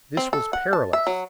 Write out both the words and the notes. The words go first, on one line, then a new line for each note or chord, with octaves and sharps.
This was perilous.
C4
A4
F#5
A5
E5
F#3